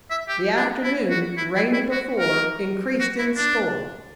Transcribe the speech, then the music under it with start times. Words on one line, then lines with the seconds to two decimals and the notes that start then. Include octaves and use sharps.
The afternoon, rainy before, increased in storm.
0.10 E5
0.28 G4
0.56 D4
0.83 E4
1.10 F#4
1.37 E4
1.55 E4
1.73 E4
1.91 F#4
2.19 A#4
3.00 F#4
3.18 E4
3.36 D4